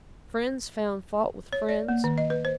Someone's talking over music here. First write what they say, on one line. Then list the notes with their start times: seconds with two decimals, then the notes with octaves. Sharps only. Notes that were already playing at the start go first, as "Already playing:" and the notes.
Friends found fault with friends.
1.53 C#5
1.69 D5
1.88 A#3
2.04 D#3
2.18 D#5
2.30 B4
2.45 C5